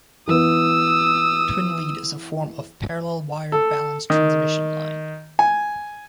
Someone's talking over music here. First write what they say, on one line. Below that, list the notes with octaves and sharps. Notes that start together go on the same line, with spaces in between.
Twin lead is a form of parallel-wire balanced transmission line.
E3 B3 D#6 E6
A4
D#3
G#5